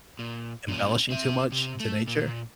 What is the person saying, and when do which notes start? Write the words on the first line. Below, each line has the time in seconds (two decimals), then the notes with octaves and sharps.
embellishing too much into nature?
0.19 A#2
0.68 A#2 C#4
1.10 C4 E5
1.52 C3
1.80 A3
2.07 A#2